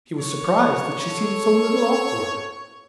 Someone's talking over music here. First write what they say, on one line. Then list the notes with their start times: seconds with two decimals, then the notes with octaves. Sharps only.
He was surprised that she seemed so little awkward.
0.18 C#5
1.06 A4